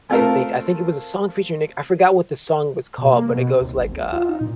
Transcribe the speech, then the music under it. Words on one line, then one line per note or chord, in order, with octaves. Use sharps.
I think. I think it was a song featuring Nick I forgot what the song was called, but it goes like, uh
A3 C4 F4 A4 A#4
B2
A#3
B2
C3
D#2
G#1
D#2
F4
D#4
A#2